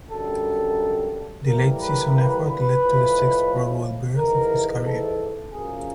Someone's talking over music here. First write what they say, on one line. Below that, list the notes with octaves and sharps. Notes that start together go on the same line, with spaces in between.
The late season effort led to the sixth Pro-Bowl berth of his career.
F#2 D3 G3 A#3 A4
A2 E3 G3 A#3 A#4
B4
B4
B4
A2 F3 G#3
G#2 E3 A3 A#4
A4
F#2 C#3 F3 A#3 G#4